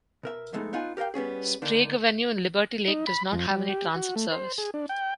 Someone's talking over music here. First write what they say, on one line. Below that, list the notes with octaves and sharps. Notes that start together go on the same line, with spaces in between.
Sprague Avenue in Liberty Lake does not have any transit service.
B2 A#4 E5
C2 F2 G#3 A3 B3 D#4
B3 D#4 F4 F#5 G#5
G4 A#4 D5 F5 G5
G3 B3 C#4 G#4
D3 D#3 A#3 D4
D#4
B5
F2
G3
G4
F#4
A3
C5
G#4
D4
G5